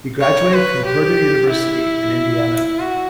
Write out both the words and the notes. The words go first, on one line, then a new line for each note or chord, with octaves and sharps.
He graduated from Purdue University in Indiana.
C#5
B4
G4
E4
F#4